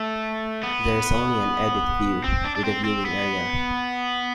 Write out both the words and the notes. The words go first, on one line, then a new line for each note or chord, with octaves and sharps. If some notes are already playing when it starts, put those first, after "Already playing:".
There is only an "edit view" with a viewing area.
Already playing: A3
B3
C4
D4
D4
C4
C4
B3